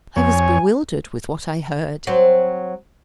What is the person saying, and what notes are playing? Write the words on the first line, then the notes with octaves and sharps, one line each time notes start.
I was bewildered with what I heard.
F2 C#5 G#5
F#3 C4